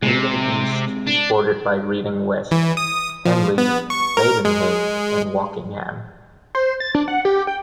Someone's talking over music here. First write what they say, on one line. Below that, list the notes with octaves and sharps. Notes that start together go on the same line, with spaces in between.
Reading East is bordered by Reading West, Henley, Maidenhead, and Wokingham.
C3 G#3 C4
D4
E3
D#6
F3
B3
C#6
A#4
G#3
C5
A6
D4
F#5
G4
G5